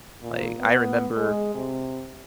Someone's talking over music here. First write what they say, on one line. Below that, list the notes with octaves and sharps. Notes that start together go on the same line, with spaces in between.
like, I remember
A#2
B3
G#3
C3